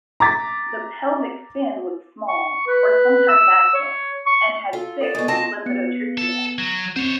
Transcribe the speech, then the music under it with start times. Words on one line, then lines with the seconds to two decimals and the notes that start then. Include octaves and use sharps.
The pelvic fin was small or sometimes absent, and had six lepidotrichia.
0.20 A#5 D6 A6 B6
2.28 C#6
2.67 B4
3.28 E6
3.74 C#5
4.26 C#6
4.73 F4 A4
5.01 A4 A#4 D5
5.15 G#3 B3 A4 D#5 C#6
5.28 C4 F4 A5 A#6
5.66 B3 F#6 C#7
6.18 A4
6.58 F#3
6.96 C4 C5 C#5